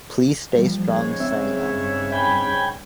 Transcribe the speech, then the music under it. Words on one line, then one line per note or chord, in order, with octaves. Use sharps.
Please stay strong Sainaa.
F3 G3 A#3
G#2 C#3 G#3 C#5
C4 E5
G2
G5 G#5 B5